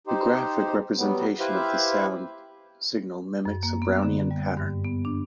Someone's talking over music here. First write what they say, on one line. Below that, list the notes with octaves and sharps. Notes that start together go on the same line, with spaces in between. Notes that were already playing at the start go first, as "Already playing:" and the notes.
The graphic representation of the sound signal mimics a Brownian pattern.
D#4 G4 C5
F#3 G3 B3
E4 G4 B4 C5 E5 F5
F#2
A#3
B3
D3
G3
G2
B3
D4